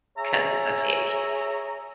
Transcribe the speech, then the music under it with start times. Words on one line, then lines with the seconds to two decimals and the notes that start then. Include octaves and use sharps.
'cause association.
0.17 G#4 C#5 E5 A#5